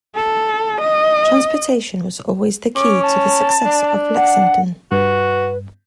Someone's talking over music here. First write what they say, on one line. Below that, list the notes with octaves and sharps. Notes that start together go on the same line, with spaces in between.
Transportation was always the key to the success of Lexington.
A4
D#5
C#4 D6
A5
D4
F#5
G2 F#4 B4